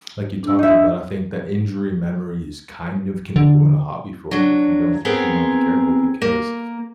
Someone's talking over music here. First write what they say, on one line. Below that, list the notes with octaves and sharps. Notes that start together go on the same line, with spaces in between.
like you talked about, I think the injury memories kind of can ruin a hobby for you if you don't if you don't be careful because,
D4 E6
D#4 E5
D3
F#3 D4
B3 C4 G#4 A#4
A#3